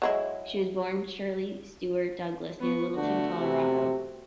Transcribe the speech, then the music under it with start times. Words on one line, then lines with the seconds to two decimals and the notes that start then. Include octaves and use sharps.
She was born Shirley Stewart Douglas near Littleton, Colorado.
0.02 F#3 G#3 E4
2.59 B3 C#6
2.95 D3 A3 F#4
3.37 C3